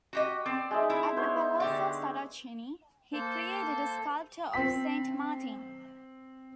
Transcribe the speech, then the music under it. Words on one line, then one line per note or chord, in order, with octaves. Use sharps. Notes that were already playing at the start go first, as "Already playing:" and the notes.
At the Palazzo Saracini, he created a sculpture of Saint Martin.
F#4 G4 D#5
C4 D5
G#3 D#4 E5
E4
B3 C5 C#5
D3 G4 D5
A#3 A4 C5 A5 G6
C4 B6